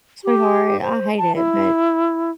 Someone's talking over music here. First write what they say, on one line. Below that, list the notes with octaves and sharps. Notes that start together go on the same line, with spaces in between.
Sweetheart, I hate it, but
G4
C5
A5
E4